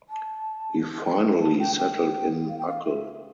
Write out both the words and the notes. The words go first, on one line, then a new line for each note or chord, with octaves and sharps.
He finally settled in Uccle.
A5
G5
A5
G5
G5
F5
G5
F5
E5